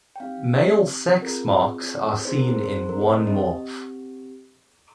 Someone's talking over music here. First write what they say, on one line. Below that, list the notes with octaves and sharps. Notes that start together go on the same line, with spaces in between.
Male sex-marks are seen in one morph.
G5
C4 D#4 G4 F5
C4 F4 G#4 A#4
C4 D#4 G#4 C5
A#4
C5
C5
C5
A#4
C5
D#5
C4 G4 D#5